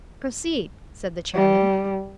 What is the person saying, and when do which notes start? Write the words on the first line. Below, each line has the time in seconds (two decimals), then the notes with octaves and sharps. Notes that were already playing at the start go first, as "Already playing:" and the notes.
"Proceed," said the chairman.
1.35 G3